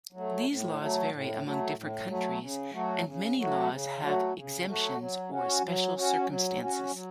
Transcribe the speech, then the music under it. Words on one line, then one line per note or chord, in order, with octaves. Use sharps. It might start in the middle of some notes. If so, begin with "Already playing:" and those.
These laws vary among different countries and many laws have exemptions or special circumstances.
F#3 A3
A2
F#3 A3
A2
F#3 A3
A2
F#3 A3
C#3
F#3 A3 F#4
C#3
F#3 A3 F#4
C#3
F#3 A3 F#4
C#3
F#3 A3 F#4
F#3
C#4 F#4
F#3
C#4 F#4
F#3
C#4 F#4
F#3